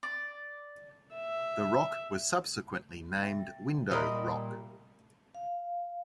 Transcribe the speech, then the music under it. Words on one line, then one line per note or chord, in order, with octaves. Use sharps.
The rock was subsequently named Window Rock.
D5
E5
E5 G5 A6
A#2 G3 A#4 D#5 E5 B5 C6
F5